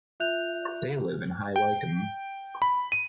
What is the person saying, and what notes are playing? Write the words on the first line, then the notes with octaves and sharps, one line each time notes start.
They live in High Wycombe.
F4 E5 F#6 G6 F7
G5
B5
D#7